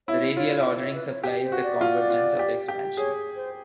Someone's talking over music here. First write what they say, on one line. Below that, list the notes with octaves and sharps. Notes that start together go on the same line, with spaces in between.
The radial ordering supplies the convergence of the expansion.
E4 C#5
F4 C#5
D5
C#5
B4
C#5
G4
C5
F#4
D5
F4
F4
G4
G4
G#4 C#5
C5